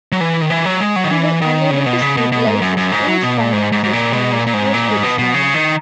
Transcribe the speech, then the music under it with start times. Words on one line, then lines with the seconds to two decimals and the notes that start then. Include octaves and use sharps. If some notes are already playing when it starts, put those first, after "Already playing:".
He was unable to stabilize the school's finances and was forced to resign.
0.12 F#3
0.21 E3
0.41 D#3
0.50 E3
0.65 F#3
0.80 G#3
0.96 F#3
1.04 D#3
1.11 E3
1.42 D#3
1.71 C#3
1.86 B2
2.02 C#3
2.17 B2
2.32 B2
2.47 G#2
2.61 F#2
2.77 F#2
2.92 G#2
3.07 F#3
3.23 B2
3.37 A#2
3.53 G#2
3.72 G#2
3.84 G#2
3.93 A#2
4.13 B2
4.33 A#2
4.47 A#2
4.54 G#2
4.74 A#2
4.88 G#2
5.03 B2
5.18 B2
5.34 C#3
5.54 D#3